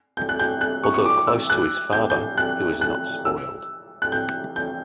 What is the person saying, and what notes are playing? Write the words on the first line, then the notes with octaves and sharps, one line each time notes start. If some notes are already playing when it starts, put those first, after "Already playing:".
Although close with his father, he was not spoiled.
G6
F#6
G6
F#6
C#6
C#6
D6
E6
F#6
G6
G6
F#6
F#6
E6
F#6
G6
G6